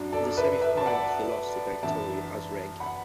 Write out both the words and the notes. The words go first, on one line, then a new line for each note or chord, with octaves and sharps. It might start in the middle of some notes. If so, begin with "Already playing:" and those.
In the semifinal she lost to Victoria Azarenka.
Already playing: F#2 F#3 D4
A4 D5
B4 E5
B4 E5
A5
D5 F#5
F#2 E3 D4 E5 A5
F#5 B5